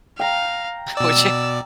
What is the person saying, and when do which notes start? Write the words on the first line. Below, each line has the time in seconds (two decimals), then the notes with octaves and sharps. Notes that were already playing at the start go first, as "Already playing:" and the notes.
Would you?
0.19 F5 G5 A#5
0.97 B2 D5 E6